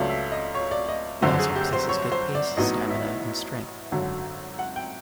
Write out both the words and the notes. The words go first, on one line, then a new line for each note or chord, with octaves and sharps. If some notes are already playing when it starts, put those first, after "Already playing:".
He also possesses good pace, stamina and strength.
Already playing: C#2 C#3 F#3 A3 D5
E5
D#5
C#5
D5
D#5
G1 F#2 D3 C5
G#4
G4
C5
C#5
C5
D5
A1 A2 F#3 B3 D#4 D#5
E5
G#1 F#2 D3 F#3
F#5
G5